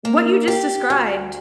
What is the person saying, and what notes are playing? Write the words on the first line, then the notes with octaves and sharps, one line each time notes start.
what you just described
A#3
G4
D2